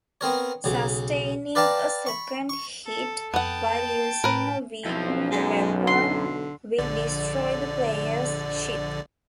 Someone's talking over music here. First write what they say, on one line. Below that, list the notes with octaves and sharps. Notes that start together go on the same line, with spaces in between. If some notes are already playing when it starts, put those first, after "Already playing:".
Sustaining a second hit while using a weakened weapon will destroy the player's ship.
B3 C4 A#4 C#5
B1 C#3 F#3
B4 D5 F5 G5 A5 A#5
B5 C#6
C#6
A4
F2 B3 F#5 G5 A5
A2 A#4 B4
B1 F2 F3 E4
F#2 G#3
D3 C6
A#1 D3 D5